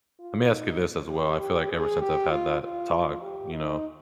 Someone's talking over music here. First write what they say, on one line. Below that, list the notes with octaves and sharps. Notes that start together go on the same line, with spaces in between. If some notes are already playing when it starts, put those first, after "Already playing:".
let me ask you this as well; I feel like ever since I've had that talk, you know,
F4
D#4
G4
G4
G#4
G4
F4
F4
G4
D#4